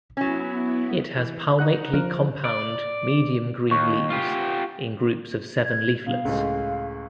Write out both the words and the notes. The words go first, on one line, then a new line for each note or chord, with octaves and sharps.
It has palmately compound medium green leaves in groups of seven leaflets.
F#3 B3 C#4 E4
E3
D#4 F#5 F#6
F3 A#4
D5
D#2 C#6
F4 G4
G#6
B2 F5
C#2 A2 G#3